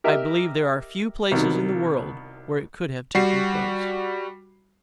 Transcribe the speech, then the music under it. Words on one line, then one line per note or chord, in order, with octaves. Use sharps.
I believe there are few places in the world where it could have taken place.
G4 A#4 D#5 E5
C2 B2 D#3
G3 F#4 C7